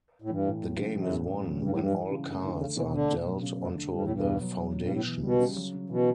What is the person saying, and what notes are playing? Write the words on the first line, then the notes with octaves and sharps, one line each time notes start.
The game is won when all cards are dealt onto the foundations.
A2
G2 E3
A2
F#3
C#3
F#2 E3
A2
C#4
F#3
G2 G3
A2
G2 E3
E3
C#3
G2 A3
A2 D3
C#3 A3
B2 E3
D3 A3
B2
F#3
C#3
F#2 A3
D3
G2 G3
A2
G2 B2
B3
F#3
F#3
B2
G2
A2 B3
E3
B2 G3
C#3
F#3
C#3
B2 E3